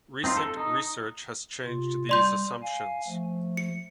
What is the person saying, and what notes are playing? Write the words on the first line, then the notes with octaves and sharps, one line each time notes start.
Recent research has changed these assumptions.
C4 D#4 F4
A4
D#4
C3 F4
G3 D5 C6 G6
F5 G#5
F3 A3
C#7